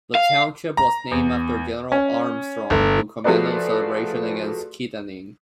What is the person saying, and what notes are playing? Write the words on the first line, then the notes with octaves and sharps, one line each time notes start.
The township was named after General Armstrong who commanded the celebration against Kittanning.
F5
A#5
E2
C#4
G1
F3 A3 F#4 G#4 B4 D5